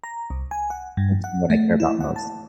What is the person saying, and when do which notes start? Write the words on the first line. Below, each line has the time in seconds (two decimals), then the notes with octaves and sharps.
can focus on what I care about most.
0.04 A#5
0.30 C2
0.51 G#5
0.70 F#5
0.97 G2
1.24 F#5
1.50 A3
1.80 E4
2.00 F#5
2.16 A5